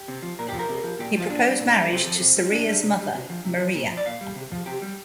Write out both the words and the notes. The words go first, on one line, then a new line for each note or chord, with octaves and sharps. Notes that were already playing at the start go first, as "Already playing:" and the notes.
He proposed marriage to Sarria's mother Maria.
Already playing: G4
C3
F3
A#2 A#4
G4
F3 A#4
C3
F3
A#2 G4
F3
F4
A#2 D4
G3
A#2
G3
C3 C4
F3
C3
G3
A#2 D4
G3
C3
G3
C3
F3
C3
F3
A#2
F3
D5
A#2 F5
G3
C3
F3
C3 G4
G3